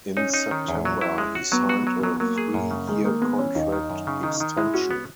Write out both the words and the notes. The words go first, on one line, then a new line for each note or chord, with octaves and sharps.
In September, he signed a three-year contract extension.
C#4 D#4
D#4
D#3
E2
F#3
E4
G#3
F#4
F#3 B3
F#4
F#3
F#3
F#3 A#3
G#4
F#2
C#3
D#3 G#3
D#3 A#3
G#3 B3
E3 C#4
D#2 D#4
D#3
F#2
C#3
D#3 D#4
D#3
G#3 E4
C#4 F#4
B3